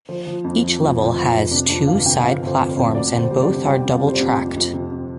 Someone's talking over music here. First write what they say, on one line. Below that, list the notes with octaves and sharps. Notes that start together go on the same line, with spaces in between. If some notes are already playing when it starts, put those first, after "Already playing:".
Each level has two side platforms and both are double tracked.
F3 C5
F3
F2
F3
F1
F3
F3
F1
C3 D4
F2 D4
G1 F5
C3 G5
F2 F5
G1
C5
F2
C5
F2
D2 D5
D2
C5
G3
D5
C3
G3 G5
C3
F5
G3
C5
D5
C3
F2 G4
F2
C3
F2